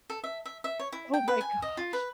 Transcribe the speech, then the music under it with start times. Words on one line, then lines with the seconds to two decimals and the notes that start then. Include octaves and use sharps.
oh my gosh.
0.10 A4
0.24 E5
0.45 E5
0.64 E5
0.80 C#5
0.92 E4
1.14 G5
1.28 B4
1.41 G#5
1.62 D#5
1.77 F4
1.93 B4